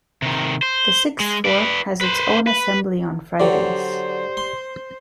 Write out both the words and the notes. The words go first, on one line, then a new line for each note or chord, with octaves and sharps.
The Sixth Form has its own assembly on Fridays.
C3 D#3
C5
G#3
B4 D5
B4 C5
B4
D3 F#3 G4 C5 D5
C6